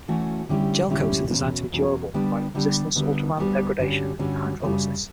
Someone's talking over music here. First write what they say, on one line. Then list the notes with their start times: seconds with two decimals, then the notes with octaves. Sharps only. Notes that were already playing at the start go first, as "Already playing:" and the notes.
Gelcoats are designed to be durable, providing resistance to ultraviolet degradation and hydrolysis.
0.08 E3 A3 C#4 F#4
0.49 D3 G3 C#4 E4 G4
0.90 D3 G3 C#4 E4 G4
1.31 E2 B2 F#3 C#4
1.72 E2 B2 F#3 C#4
2.14 D3 G3 B3 D4
2.55 D3 G3 B3 D4
2.96 D2 D3 G3 B3
3.37 D2 D3 G3 B3
3.78 G2 D3 G3 C#4 F#4
4.19 G2 D3 G3 C#4 F#4
4.60 F#2 C#3 G3